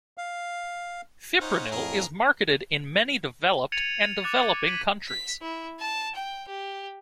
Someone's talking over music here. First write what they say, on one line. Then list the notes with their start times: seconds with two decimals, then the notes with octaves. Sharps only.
Fipronil is marketed in many developed and developing countries.
0.18 F5
1.41 C#4 D#4 F4 C5 F#5
1.72 F2 A2 G#4 A#4
3.72 G#6 A6 C#7 D#7 F7 F#7
4.24 D6 F#6 A6
4.67 G#6 B6 D#7 F#7
5.08 B6
5.42 E4
5.80 A5
6.15 G5
6.48 G4